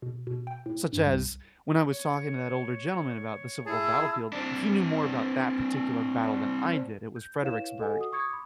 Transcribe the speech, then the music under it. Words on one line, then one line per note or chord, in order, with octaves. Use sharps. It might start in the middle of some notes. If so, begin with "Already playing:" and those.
Such as, when I was talking to that older gentleman about the Civil War battlefield, he knew more about that particular battle than I did, it was Fredericksburg,
B2
B2
G5
A2
G2
C2
C#5
E4 G#4 A5
C4 D4
G6
E4 B4 C#5 F5 E7
A4 D#5 F#5 G#5
F#4 D#6
C#6 D#6 G#6 C#7
B5 D6